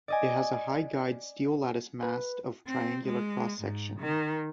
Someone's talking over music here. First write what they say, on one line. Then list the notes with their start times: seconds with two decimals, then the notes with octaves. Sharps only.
It has a high guyed steel lattice mast of triangular cross section.
0.08 D5 D#5 G#5
2.03 B4
2.67 C4
3.06 G#3
3.61 G#2
4.00 D#3